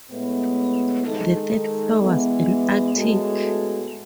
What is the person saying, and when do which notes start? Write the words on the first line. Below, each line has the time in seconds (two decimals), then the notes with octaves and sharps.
The third floor was an attic.
0.10 A2 G#3 B3
1.04 D#3 G#3 D#4 A4
2.00 E3 G#3 B3
2.93 A2 G#3 B3 F#4 A4